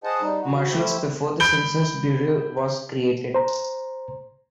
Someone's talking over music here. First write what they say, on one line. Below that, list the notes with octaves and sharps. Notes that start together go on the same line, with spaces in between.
Marshals before the Census Bureau was created.
G#4 C5 D#5 F#5 A5
G3 D#4
F#4
A3 E4 G4 C5 E5
B5 G6 D7 G7
C5 A#5